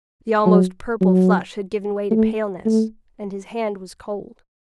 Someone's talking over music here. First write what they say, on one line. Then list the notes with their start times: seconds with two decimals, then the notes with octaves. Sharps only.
The almost purple flush had given way to paleness, and his hand was cold.
0.46 F#3
1.01 F#3
2.11 A3
2.66 A3